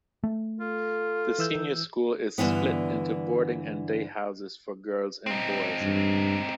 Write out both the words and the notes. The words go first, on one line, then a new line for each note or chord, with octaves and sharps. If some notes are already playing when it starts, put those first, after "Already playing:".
The Senior School is split into boarding and day houses for girls and boys.
A3
F4 A4
E3 E6 G6
G2 A#2 D3 E3 B3
C4 D#4
G2